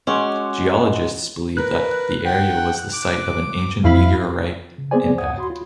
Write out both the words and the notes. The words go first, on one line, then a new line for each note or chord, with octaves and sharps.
Geologists believe that the area was the site of an ancient meteorite impact.
G#3 C#4 F#4 D6
A#4 B4 F#6
F#5 G5
D6
F2 E4 F5 B5
C#3
B3 C4 G#4 C5 D5 G#5
D2 C#5 F#5 D#6 G#6
F#4 B5 C6
F4